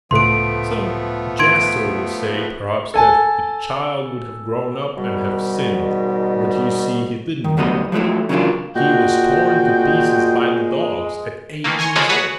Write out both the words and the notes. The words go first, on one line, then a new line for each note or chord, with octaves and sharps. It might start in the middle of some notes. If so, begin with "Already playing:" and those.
Some jester will say, perhaps, that the child would have grown up and have sinned, but you see he didn't grow up, he was torn to pieces by the dogs, at eight years old.
C#2 A2 F3 A3 B3 A4 C6 D7
C6 G#6 D7
A4 G#5 A5
G#2 B2 D#3 G3
D#3
D2 F#3 G3 B3 D#5
F3 F#3 G#3 A3 E4
C#3 E3 F#3 A#3 D4 F4
A#2 G#3 F#4 G5
D#3 E3 A3 A#3
G#5 A#5 C6 C#6
F3 G#3 A#3 G#4 A4 C#5
F#4 G#4 B4 C#5 F#5